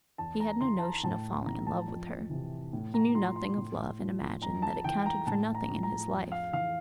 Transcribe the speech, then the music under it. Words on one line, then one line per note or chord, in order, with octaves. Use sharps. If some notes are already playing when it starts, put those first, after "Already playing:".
He had no notion of falling in love with her. He knew nothing of love and imagined that it counted for nothing in his life.
E2 A5
A#5
E3 C6
A5
A#5
A2 A5
E3 A#5
A5
F2
C3 E3
A2
A#5
F3 C6
C6
A2
F3
F2 A#5
A5
E3 G5
A#5
A2 A5
A#5
F3
A#5
F2
F5
E3 F5